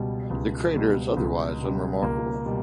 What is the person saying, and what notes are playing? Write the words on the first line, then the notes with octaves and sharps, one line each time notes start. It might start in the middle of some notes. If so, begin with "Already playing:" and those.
The crater is otherwise unremarkable.
Already playing: C#2 B2 G3
C#2
B2 G3
C#2
B2 G3
C#2 A#3
B2 G3